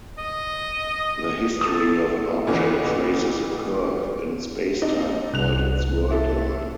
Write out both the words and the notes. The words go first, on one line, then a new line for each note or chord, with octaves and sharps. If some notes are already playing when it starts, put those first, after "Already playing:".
The history of an object traces a curve in spacetime, called its world line.
D#5
A4 D#6
F2 A#2 D3 E3 B3 C#4
C4 D4 D#4
C2 F#6 F7
E4 A4